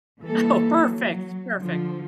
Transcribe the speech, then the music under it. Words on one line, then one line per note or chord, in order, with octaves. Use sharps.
Oh, perfect, perfect.
E3 G3 A#3 A4
F#3
D3 F3